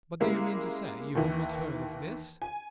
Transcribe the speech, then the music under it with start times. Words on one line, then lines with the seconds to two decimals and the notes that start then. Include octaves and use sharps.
But do you mean to say you have not heard of this?
0.20 C#3 G3 G#3 A#3 E4
1.15 D#2 D#3 E3
2.42 G#5